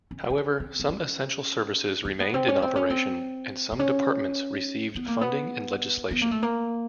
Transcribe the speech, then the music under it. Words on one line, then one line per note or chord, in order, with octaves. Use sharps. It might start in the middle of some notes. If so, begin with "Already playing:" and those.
However, some essential services remained in operation and some departments received funding in legislation.
C#4
C#4
C4
C4
C#4
C4
B3
C4
C#4
C4
C#4
C4
C4
C#4
B3
A#3
B3
B3
A#3
A3
A#3